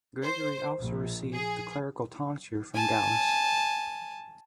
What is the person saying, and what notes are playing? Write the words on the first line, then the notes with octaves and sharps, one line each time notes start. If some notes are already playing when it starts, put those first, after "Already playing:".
Gregory also received the clerical tonsure from Gallus.
C5
A#1
G#4
G#5 A5